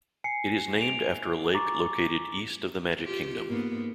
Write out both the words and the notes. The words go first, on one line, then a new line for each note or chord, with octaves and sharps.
It is named after a lake located east of the Magic Kingdom.
G#5 C7 C#7
D7 F7
A#5 C#6 D6 A6
F4 G4
G#2 A#3 B3